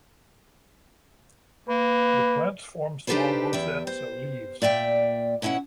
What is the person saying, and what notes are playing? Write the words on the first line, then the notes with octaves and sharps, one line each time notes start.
The plants form small rosettes of leaves.
A#3 B4
D4 D#4 G4 A4 B4 C5
E2 E5 G5
C5
A#2 D5 E5 G5
B2 C#4 E4 D#5 F#5